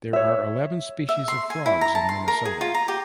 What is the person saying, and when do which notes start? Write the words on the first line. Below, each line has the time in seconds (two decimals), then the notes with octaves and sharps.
There are eleven species of frogs in Minnesota.
0.13 C#5 E5
1.09 E5
1.28 C6
1.50 G#5
1.66 E4
1.81 A#5
1.95 A5
2.09 C6
2.28 A#4
2.45 G#4
2.61 F4
2.75 A#5
2.88 G4